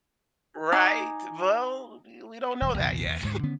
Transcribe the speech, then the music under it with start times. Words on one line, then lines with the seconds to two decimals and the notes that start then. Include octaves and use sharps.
Right? Well, we don't know that yet.
0.72 D#4 G#5 D6
2.62 E1 G2
2.79 A#1 E2 C3 D#3
3.07 E2 E3
3.23 D2 G#2
3.43 D3 D#3 B3 C#4